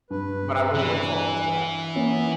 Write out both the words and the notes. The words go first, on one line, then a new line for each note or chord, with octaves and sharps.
But I wouldn't wanna fall into that.
G2 B4
E3
A#3 B3 C#4 E4